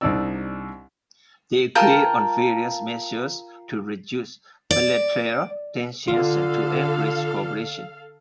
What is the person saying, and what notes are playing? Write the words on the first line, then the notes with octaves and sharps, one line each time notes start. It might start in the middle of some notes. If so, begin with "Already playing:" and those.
They agreed on various measures to reduce bilateral tensions and to encourage cooperation.
C2 D4 D#4 D5 E6
F4 A#4 G5 A5
D5
D3 F4 A4 F5